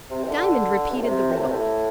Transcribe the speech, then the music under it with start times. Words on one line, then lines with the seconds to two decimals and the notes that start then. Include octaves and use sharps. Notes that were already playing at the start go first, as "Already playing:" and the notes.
Diamond repeated the riddle.
0.10 C3
0.24 E3
0.29 D3
0.90 G2
0.97 A2
1.04 C3
1.32 A2
1.42 C3
1.51 A2